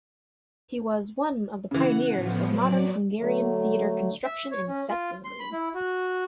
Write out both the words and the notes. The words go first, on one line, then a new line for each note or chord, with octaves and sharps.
He was one of the pioneers of modern Hungarian theater construction and set design.
C#3 E3 F#5
A2 F3 B3
F#3 D5
D3 F#3 A3
E5
C#5
C#4
F4
C6
B5
E4
F#4